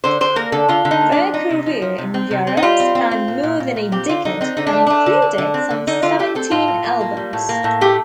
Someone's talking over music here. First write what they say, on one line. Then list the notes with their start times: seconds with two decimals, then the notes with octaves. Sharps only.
Their career in Europe spanned more than a decade and included some seventeen albums.
0.04 D3 C5
0.21 D3 C5
0.36 A#3 A#4
0.52 D3 A4
0.69 D3 F4
0.85 D3
0.91 D#4
1.01 A#3
1.12 D4
1.17 F3
1.34 C4 D#4
1.50 C3
1.66 F3
1.82 F3
1.98 C3
2.14 C4
2.31 C3
2.47 C4
2.57 D#4
2.63 G3 F4
2.80 C4
2.95 C4
3.11 C4
3.28 A#2
3.43 A#2
3.60 A#2
3.76 A#2
3.92 C4 G4
4.09 D3 F4
4.25 D3 D#4
4.41 C4 D#4
4.57 D3 D#4
4.67 D4
4.73 A3
4.87 A3 D4
5.06 D3
5.22 D3
5.38 D3
5.54 C4
5.70 D3
5.87 D3 D#4
6.02 D3 F4
6.19 A3 G4
6.35 C4 A4
6.51 A2 F4
6.68 A#3
6.84 A2
7.01 A#3
7.17 G3
7.33 A2
7.49 A#3
7.64 A2
7.81 A3 G4